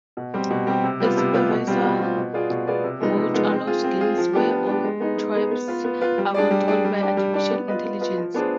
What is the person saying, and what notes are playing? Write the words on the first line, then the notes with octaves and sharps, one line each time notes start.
A supervisor mode allows games where all tribes are controlled by artificial intelligence.
B2
G3 C4 G4
B2
G3 C4 G4
C3
G3 B3 F4 B4
C3
G3 B3 F4 B4
B2
G3 C4 F4
B2
G3 C4 F4
B2
B3 F4 G#4 D5
B2
B3 F4 G#4 D5
C3
F3 G#3 B3 D#4
C3
F3 G#3 B3 D#4
C4
F4 G#4
C4
F4 G#4
F3
B3 D4 G4
F3
B3 D4 G4
G#3
B3 D#4 G#4
G#3
B3 D#4 G#4
B3
F4 B4
B3
F4 B4
G3
D4 G#4 D5
G3
D4 G#4 D5
G3
D4 G4 D5
G3
D4 G4 D5
B3
F4 B4 D#5
B3
F4 B4 D#5
F3
B3 D4 G#4 C5